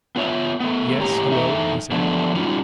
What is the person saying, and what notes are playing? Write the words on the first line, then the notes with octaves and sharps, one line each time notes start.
"Yes--hello!" he said.
B3 F4 C#5 E5
A3 B3
A2 A#3 G4 C#5 A#5
E2 D#4 A4 E5 A#5
D3 F3 A3 B3 D4
G3 C#4 D#4 F4 F#4